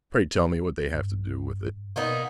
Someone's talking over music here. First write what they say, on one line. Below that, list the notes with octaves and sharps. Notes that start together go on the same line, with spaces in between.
Pray tell me what they have to do with it?
G2
B2 A#3 B3 D#4